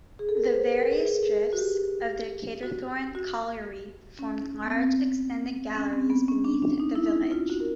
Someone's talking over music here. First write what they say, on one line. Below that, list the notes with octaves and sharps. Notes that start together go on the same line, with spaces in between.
The various drifts of their Carterthorne Colliery formed large extended galleries beneath the village.
G#4
A4
A#4
B4
C5
A#4
B4
A#4
G#4
G#4
A4
G#4
F#4
G4
F#4
F#4
C#4
B3
C4
C#4
C4
B3
C#4
D4
D4
D#4
E4
D#4
F4
F#4
A#4